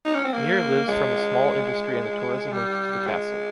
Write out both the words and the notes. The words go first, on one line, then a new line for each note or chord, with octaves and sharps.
Mir lives from the small industry and the tourism linked to the castle.
D#4
C#4
C4
A#3
G#3
G3
G#3